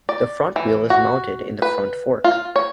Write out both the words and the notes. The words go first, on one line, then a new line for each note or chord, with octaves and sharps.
The front wheel is mounted in the front fork.
D5
E3
F#4
B4
F4
C#5